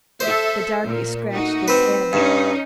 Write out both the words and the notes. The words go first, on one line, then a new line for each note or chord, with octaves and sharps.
The darky scratched his head.
A4 C5 E5
A#2
A3 D#4 F#4
C4 B4
G2 C#4 D#4